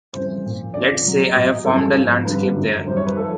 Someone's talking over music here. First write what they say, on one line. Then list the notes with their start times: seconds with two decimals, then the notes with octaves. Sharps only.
Let’s say i have formed a landscape there.
0.13 F2 C#3 E3 G3 C5
0.44 A#2 F3
0.74 F2 D3 F3 D5
1.04 B2 F#3
1.35 A#2 F#3 D#5
1.65 F#2 C#3 E3 G3 A4
1.95 G#2 F3
2.25 G2 D3 G3 B4
2.55 F#2 D3 F#3
2.85 F#2 D#3 G3 C5
2.97 C#5
3.07 B4
3.17 F3 A4